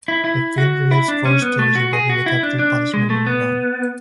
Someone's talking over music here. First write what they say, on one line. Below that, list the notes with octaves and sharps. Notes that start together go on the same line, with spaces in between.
The film relates four stories involving the capital punishment in Iran.
E4
E4
F#4
E4
D4
C#4
B3
A3
F#4
G#4
F#4
E4
D4
D4
G#3
A3
B3